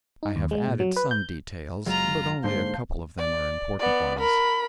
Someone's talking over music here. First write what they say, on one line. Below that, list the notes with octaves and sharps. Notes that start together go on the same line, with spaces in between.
I have added some details, but only a couple of them are important ones.
D#4
D#2
G#3
A#2
F#3
B4
G6
F#1 F#3 G#3 F4 A#5
G#2 D3 G#3 A#3 D4 C5 C6
D5
B3 D5
A#4 B5